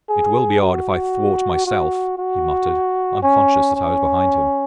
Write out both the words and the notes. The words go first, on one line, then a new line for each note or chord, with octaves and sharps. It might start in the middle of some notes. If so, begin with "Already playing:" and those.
'It will be odd if I thwart myself,' he muttered, unconscious that I was behind him.
G#4
F#4
F#4
F#4
C#4
C#4